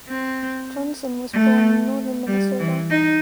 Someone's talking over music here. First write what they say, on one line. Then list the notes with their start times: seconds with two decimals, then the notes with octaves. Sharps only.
Johnson was born in Northern Minnesota.
0.08 C4
1.33 A3
2.27 G3
2.59 E3
2.90 D#4